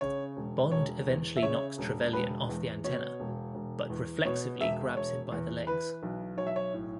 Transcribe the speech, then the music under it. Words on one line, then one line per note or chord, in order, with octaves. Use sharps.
Bond eventually knocks Trevelyan off the antenna, but reflexively grabs him by the legs.
C#3 C#5
E1
E1 C#5
E2
E5
C#3 C#5
E1
E1 B4
E2
B2 C#5
E1
E1
E2
B2 C#5
E1 E5
E1 C#5
E2
E3 B4
B1
B1 C#5
E5
C#5
A2